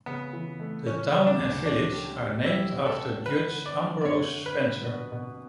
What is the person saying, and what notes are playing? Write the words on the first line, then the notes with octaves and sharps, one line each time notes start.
The town and village are named after Judge Ambrose Spencer.
C#3 B3
E3
A3
E3 C#4
C#3
D4
D2
C#4 D4
G4
G4
E4 G4
B2
A4
C#4
D3 B4
D3
D5
D3
D5
F#2 C#5
D3
B4
D4
B2
B2